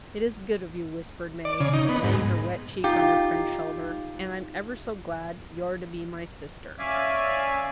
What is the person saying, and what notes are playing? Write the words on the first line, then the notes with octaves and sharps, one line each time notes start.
"It is good of you," whispered May, laying her wet cheek on her friend's shoulder; "and I'm ever so glad you're to be my sister."
D5
C#3
D#4
B3
G#2
D#4 F4 G4
C#4 D5 E5 F5 G#5